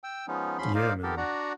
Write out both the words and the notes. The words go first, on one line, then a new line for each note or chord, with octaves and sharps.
Yeah, man.
G5 E6
F3 G#3 B3 C#4 D#4
E2 F3 C#4 B5 C6
A#3 D#4 A#4 C5 D5 F5
D#3 B3 G4 A4 A#4
D4 F#4 D5 F#5 A#5